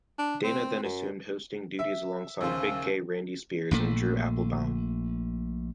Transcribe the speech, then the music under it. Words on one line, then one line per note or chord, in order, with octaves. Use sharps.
Dana then assumed hosting duties alongside "Big Gay" Randy Spears and Drew Applebaum.
D4
C4
F#2
E5
D#2 C#3 C5 G#5 E6
A#1 A#2 A3